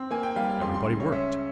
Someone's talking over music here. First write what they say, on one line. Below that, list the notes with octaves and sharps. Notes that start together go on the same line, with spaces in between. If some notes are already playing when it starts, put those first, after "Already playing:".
Everybody worked.
Already playing: C4
A#3 G#5
G5
G3 F5
F5
C#2 C6
C6
C#3
C#5
C#4 E5